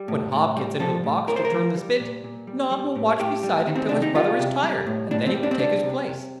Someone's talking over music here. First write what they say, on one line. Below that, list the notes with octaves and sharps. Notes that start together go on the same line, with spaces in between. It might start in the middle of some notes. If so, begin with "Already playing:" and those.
When Hob gets into the box to turn the spit, Nob will watch beside it till his brother is tired, and then he will take his place.
Already playing: G3
A2
A2
G3
F3 A4
A2
A2 A#4
C5
A#4
F3
G3
A#2
A#2
G3
G3
A2
A2 G4
G3
D#3
C4
C3 D4
D#4
G3 F4
C3
G3
A2
A2 D4
C4
G3
D4
C4
G3 D4
C3
C3